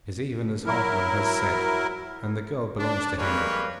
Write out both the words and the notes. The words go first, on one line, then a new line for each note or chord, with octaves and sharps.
'It is even as Halfman has said, and the girl belongs to him.'
F#3 E4 A#4
D4
G3 G#3 A#3 B4 C#5